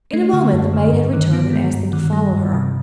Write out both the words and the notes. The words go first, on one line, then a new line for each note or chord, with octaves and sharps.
In a moment the maid had returned and asked them to follow her.
A3
D3
F#2
D3
G2
D#3
B3
G#3
G2
D#3
G3
G2
C3